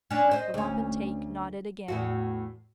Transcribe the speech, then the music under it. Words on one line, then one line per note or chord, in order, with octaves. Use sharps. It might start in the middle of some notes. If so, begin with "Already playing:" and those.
The wapentake nodded again.
C#4 D4
C5 D#5
D2 C#4
E2 A2 F#4